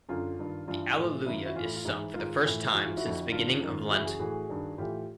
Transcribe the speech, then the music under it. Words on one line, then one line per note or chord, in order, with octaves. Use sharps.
The Alleluia is sung for the first time since the beginning of Lent.
F#2 D3 F4
G2 D#3
G2 E3 F4
A2 E3
F#2 D#3 E4
F4
E4 F#4
A2 E3 F4
E4
F4
G#2 E3 E4
G#2 D#3 F4
A2 E3
G#2 E3 F#4
F4
E4 F#4
F2 D3
G2 D#3 F4
F#2 D#3
F#2 C#3 E3 E4 F#4
F#4 G#4
A2 E3 F#4 G#4
G2 D#3
A2 E3 F4 G4